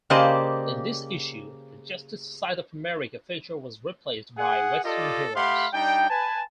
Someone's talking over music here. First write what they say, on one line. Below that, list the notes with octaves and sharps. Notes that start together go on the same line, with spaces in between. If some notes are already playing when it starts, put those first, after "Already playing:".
In this issue, the "Justice Society of America" feature was replaced by Western heroes.
C#3 A#3 G4 C5 D5 D#5
G#4 F#5
F4 G4 A4 D5 D#5
A3 G4 F5 F#5 B5 C6
G3 D4 D#4 G5
B4 G#5 A5